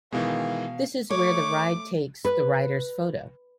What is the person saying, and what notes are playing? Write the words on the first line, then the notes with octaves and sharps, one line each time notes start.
This is where the ride takes the rider's photo.
B2 D#3 E3 G#3 F5
A3 C#5 C#6 D6
B4